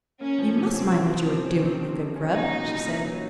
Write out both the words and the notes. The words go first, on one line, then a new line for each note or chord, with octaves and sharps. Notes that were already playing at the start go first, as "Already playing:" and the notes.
"You must mind what you are doing, my good Grub," she said.
A#3 C#4
F3
C3
C4 C#4
A#3
F3
C3 C4
C#4
A#3
F3
C3
C#4
F#3 D#4
A#2
C2
A#3
F#3